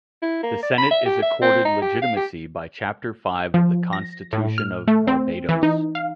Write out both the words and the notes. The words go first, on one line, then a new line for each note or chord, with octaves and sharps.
The Senate is accorded legitimacy by Chapter Five of the Constitution of Barbados.
E4
A#3
D5
B5
E5
G4
E5
C4
D#4
G4
F5
G4
F3
A#6
A2
F6
A3
C4
E3
D#4
F5